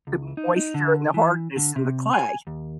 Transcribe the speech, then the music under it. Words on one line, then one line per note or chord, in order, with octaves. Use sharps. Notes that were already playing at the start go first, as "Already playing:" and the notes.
the moisture and the hardness in the clay,
C#2
D#4
D#4
D3
E3
D3
C3
G#5
D#2